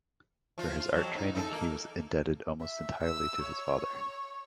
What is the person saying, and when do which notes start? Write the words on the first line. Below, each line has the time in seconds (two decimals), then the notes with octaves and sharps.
For his art training he was indebted almost entirely to his father.
0.58 F3 F4
0.80 F4
0.95 F2 F#3
1.16 D#4
1.35 D#4 E4 A4
1.52 A#3
2.61 E5
3.03 E6
3.42 C#5